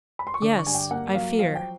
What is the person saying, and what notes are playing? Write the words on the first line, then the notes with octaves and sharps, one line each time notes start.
"Yes,--I fear."
B5
C6
C#6
D3 D6
C#6
G2 G#5
G5
A#3 F#5
F#3 F5
F3 F5
G5